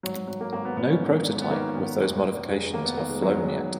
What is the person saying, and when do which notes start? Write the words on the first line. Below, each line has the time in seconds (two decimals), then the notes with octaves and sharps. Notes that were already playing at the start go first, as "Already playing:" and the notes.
No prototype with those modifications have flown yet.
0.03 G#1 F#3
0.15 F#3
0.27 G#1 F#3
0.41 A#3
0.53 G#1 A#3
0.65 B3
0.76 G#1 B3
0.89 C#4
1.01 G#2
1.25 G#2
1.42 B3
1.50 D#3 A#3
1.75 G#1
2.00 F1
2.24 F1
2.48 F1 G#3
2.61 G#3
2.73 F1 A#3
2.85 B3
2.97 D#3 A#3
3.10 G#3
3.22 F2 F#3
3.35 G#3
3.47 D#3